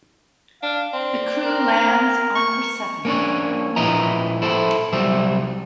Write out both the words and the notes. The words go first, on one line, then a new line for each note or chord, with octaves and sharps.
The crew lands on Persephone.
D4 F5
C4 D5
A#4
C#6
A#3 C#4 D4 C#5
A#2 F3 E4 B4 D#5 A#5
E4 A4 C5
C2 F#3 G3 C5 E5